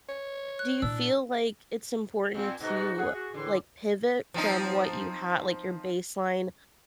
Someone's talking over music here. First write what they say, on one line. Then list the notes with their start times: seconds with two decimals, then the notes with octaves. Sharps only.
Do you feel like it's important to, like, pivot from what you ha like, your baseline
0.09 C#5
0.59 F#6
0.82 A#2 D4 E4 E6
2.34 A#2 C4
2.60 G#2 B2 D#4 F#4
2.98 G#4 F#5
3.14 F#4
3.34 A2 D3 E3 C6
4.34 F3 C4 D#4